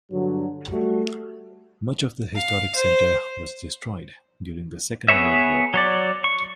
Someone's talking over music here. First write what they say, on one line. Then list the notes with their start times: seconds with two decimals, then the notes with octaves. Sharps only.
Much of the historic centre was destroyed during the Second World War.
0.12 G2 D3 F#3
0.71 G3 A3 F#4
2.34 F5
2.75 C5
5.08 B3 G#4 B4 C#5 E5
5.74 F#3 C#5 D5
6.24 C#6